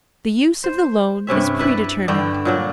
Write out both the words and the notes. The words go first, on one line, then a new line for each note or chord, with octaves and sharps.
The use of the loan is pre-determined.
C5
G2 C3 C#4 E5
E4 B4 D5
G2 D3 D4 G5
A#2 F#3 D4